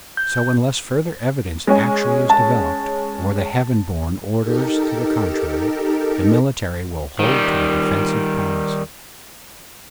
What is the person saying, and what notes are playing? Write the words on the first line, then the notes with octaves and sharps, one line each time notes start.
So unless further evidence actually is developed, or the Heaven-Born orders to the contrary, the Military will hold to a defensive policy.
G6
G#3 C#4 G#5
A5
D#4 G4 A4 A#4
D#3 G3